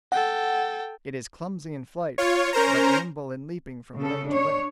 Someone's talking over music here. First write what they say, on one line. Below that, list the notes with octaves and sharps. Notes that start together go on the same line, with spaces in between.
It is clumsy in flight, but nimble in leaping from limb to limb.
A4 F#5 G5
F4 C#5
C#4 A#4 C5 A#5
C#3 A4
D4 C#5